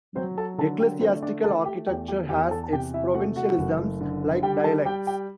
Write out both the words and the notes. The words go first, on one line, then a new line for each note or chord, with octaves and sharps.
Ecclesiastical architecture has its provincialisms, like dialects.
F#3 C4 C5
A4 A5
D3 A4 A5
G4 G5
A3 C4 C5
D4 D5
A3 A4 A5
G4 G5
E2 G4 G5
G4 G5
E2 G4 G5
A4 A5
A5
C3 G4 G5
E4 E5
A3 F#4 F#5
F#4 F#5
F#1
D3
G3 G4 G5
A4 A5
G3 G4 G5
G4 G5